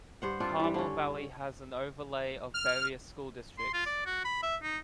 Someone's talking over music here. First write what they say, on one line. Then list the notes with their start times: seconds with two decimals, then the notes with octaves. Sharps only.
Carmel Valley has an overlay of various school districts.
0.22 G2 C5 F#5
0.40 C4 D4 F4 A4
0.59 E3 G3
0.74 D3 C#4
2.54 F6
3.58 C6
3.74 F4
3.86 D5
4.06 F#4
4.25 B5
4.43 E5
4.63 D#4